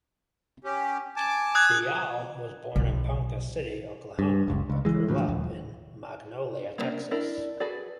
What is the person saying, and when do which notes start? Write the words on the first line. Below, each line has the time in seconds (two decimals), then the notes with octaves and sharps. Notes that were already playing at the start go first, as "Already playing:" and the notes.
Dial was born in Ponca City, Oklahoma, but grew up in Magnolia, Texas.
0.64 C#4 G4
1.16 G#5 A5 D6
1.55 D#6 F#6 G#6
2.76 B1
4.19 G2
4.48 F#1 C#2
4.70 C#2
4.85 E3 G#3
5.08 D2 A2 F3
5.28 D#1 D#2
6.78 A#3 B3 C#4 D4 A#4
7.11 D4 E4 A#4
7.60 F#4 G#4 A4 B4 D5